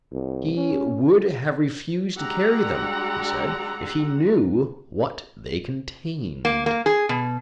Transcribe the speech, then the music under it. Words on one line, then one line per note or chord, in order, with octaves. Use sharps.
He would have refused to carry them, he said, if he knew what they contained.
C2
C#4
G3 G#3 D4 F#4 G4 F#5 A#5 E6
A#3
A#3
G#4
B2